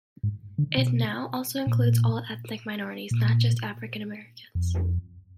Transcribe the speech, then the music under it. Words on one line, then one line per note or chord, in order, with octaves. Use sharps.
It now also includes all ethnic minorities, not just African-Americans.
G#2
D3
B2
A#2
A#2
F2